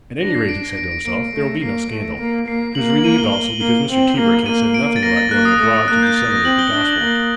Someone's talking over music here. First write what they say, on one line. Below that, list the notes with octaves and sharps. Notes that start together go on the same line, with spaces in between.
"At any rate," he said to himself, "there will be no scandal." He was relieved also because Mr. Tebrick had said nothing about going abroad to disseminate the Gospel.
D4 A#6
C7
D7
C7
D7
D7
A#3 D7
A3
A#3 C7
A3
A#3
A#3 C7
A#3 F#7
F#7
D#7
G7
G7
F#7
A#3 G7
C4 F#7
A#3
A#3 D#7
D7
A6
A#3 A#6
A6
A#3 F#6
D#6
A3 D#6
A#3 F#6
G6
A6
A#6
C4 F#7
G7
D4 G7
F#7
A#3 G7
F#7